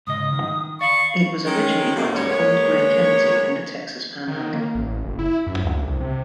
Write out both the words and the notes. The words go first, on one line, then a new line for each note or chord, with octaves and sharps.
It was originally part of Old Greer County in the Texas panhandle.
G#2 C#3 D#5 D#6
D#3
D5 F5 A5 B5 C#6
D#3 G#3 C#4
F#2 C3 E3 A3 A#3
D2 G#2 G3 B3 C#4 C#5
G#3 A#3 B3 C#5
D#3
A#3
A1
F#1
E4
F#2
D2
C2
C3